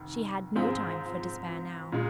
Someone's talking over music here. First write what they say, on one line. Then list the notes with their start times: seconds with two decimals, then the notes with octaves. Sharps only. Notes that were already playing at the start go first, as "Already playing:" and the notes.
She had no time for despair now.
Already playing: F1 D#3
0.56 G#2 F3 C4 F4 G#4
1.92 A#2 G#3